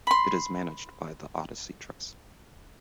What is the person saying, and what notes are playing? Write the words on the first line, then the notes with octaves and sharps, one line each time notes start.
It is managed by The Odyssey Trust.
B5 C6